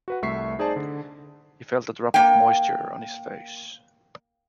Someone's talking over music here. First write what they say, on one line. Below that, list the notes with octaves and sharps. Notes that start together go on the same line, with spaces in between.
He felt a drop of moisture on his face.
F#4 B4 F#5
C2 A3 E5 C#6 B6 C7
D#4 G#4 C5 D5 A5
D3
A#3 G5